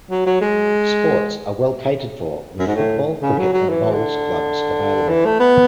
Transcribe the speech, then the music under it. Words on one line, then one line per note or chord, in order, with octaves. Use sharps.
Sports are well catered for with football, cricket and bowls clubs available.
F#3
F#3
G#3
F#2
G#2
A2
C#3
F#3
F#3
E3
D3
E3
A3
B3